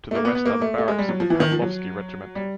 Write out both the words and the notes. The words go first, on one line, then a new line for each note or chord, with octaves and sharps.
To the west are the Barracks of the Pavlovsky Regiment.
A3
A#3
B3
B3
A#3
A3
A3
G#3
G3
F#3
F3
E3
D#3
F3
F#3
G3